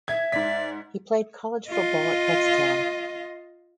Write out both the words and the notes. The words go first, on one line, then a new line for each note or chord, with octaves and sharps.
He played college football at Kutztown.
E5 G#6
G#2 D5 B6
F4 D#5